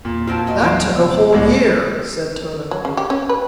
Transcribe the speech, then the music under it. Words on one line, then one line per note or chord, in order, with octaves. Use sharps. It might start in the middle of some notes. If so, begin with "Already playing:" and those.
"That took a whole year," said Tode.
E2 A#2
E3 C4 F4 F#4 A5
F#4 D#5
E3 F#3 G#3 D4 C5
C3 B3 E5
C2 A2 G#3 D5
F#3
C#3
G4
C#4
B4